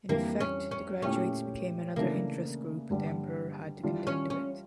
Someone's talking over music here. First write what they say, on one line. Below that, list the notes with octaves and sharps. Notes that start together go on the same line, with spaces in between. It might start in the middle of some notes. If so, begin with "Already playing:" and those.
In effect the graduates became another interest group the emperor had to contend with.
F2 E3 G3 A#3 D4
C#4
C#4
A#2 A3 C#4 E4 G4 C#5
C#3 E3 A3 A#3 D4
G2 D3 G3
E3 G3 D4 F4
C#4
C#4